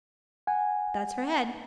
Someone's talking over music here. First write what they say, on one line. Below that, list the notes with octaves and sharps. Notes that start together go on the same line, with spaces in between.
That's her head.'
F#5 G#5